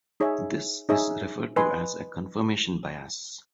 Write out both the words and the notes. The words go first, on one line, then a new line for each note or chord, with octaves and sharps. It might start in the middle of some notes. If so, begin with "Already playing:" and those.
This is referred to as a confirmation bias.
D#4 G#4 C#5 E5
D#4 G#4 C#5 E5
B4 D#5 G#5 C6